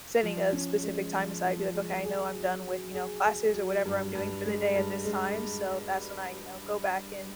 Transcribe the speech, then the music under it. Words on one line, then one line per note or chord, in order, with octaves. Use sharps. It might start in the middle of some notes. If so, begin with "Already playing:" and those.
setting a specific time aside. Be like, "Okay. I know I'm done with," you know, "classes or whatever I'm doing for the day at this time." So, that's when I, you know, go back and
F3
C#4
G#3
F3
F3
G#3
G#4
F#3
F#3
G#4
G#4
F#3
G2
G2
G#3
G2
G#3